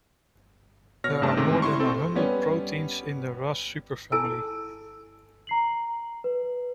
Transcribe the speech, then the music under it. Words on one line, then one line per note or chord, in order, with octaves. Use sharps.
There are more than a hundred proteins in the Ras superfamily.
B2 C#5 F6 A#6
A1 G2 C3 A3 D5 A5
G#2 C3 D#3 A3
E4 C6 C#6
C4 A4
G3 B3 C#4
E4 A4 G#5 A5 E6
A#5 C7 F#7
B4